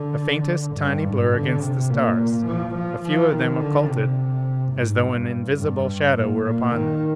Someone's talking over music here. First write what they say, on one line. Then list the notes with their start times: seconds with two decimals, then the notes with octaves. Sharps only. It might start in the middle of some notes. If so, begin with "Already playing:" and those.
A faintest, tiny blur against the stars, a few of them occulted as though an invisible shadow were upon them.
Already playing: D3
0.76 G2
1.05 G#2
1.33 D3
1.61 C3
1.90 A#2
2.46 F3
2.75 F3
3.03 F3
3.32 D#3
3.60 D3
3.88 C3
4.73 G#2
5.02 G2
5.58 G2
6.15 A#2
6.43 A#2
6.71 D#3